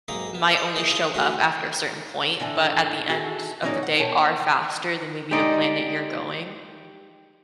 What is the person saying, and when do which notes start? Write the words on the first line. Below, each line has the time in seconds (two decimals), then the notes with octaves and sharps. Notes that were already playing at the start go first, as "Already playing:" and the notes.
might only show up after a certain point, but at the end of the day are faster than maybe the plan that you're going.
0.08 B1 G#2 A#3 C4 A#4 D#6
0.35 B3
0.57 D#5
0.76 E3 A#3 D#4 G#4 A#4
0.89 F4 G#4 C#5 F5
1.14 D3 A3 C#4 F4 F#4
2.40 A2 D3 E3 A4
3.09 E4 F#4 G#4 A4
3.62 A2 F#3 A#3 C#4 D#4 D5
3.83 F#5
3.99 B2 C#5 G5 A5
5.31 G#3 D#4 G4 D5 D#5